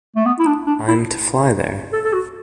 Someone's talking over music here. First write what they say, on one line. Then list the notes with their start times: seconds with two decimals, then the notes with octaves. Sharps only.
I'm to fly there.
0.16 A3
0.25 B3
0.39 E4
0.46 D4
0.67 D4
0.88 E4
1.92 A4
2.04 A4
2.13 F#4